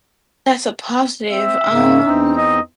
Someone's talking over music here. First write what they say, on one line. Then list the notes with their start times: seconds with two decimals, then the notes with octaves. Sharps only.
That's a positive. Um
1.30 C4 E5
1.68 G#2 C#3 A#3
2.05 E2 C4 D#4
2.37 D#5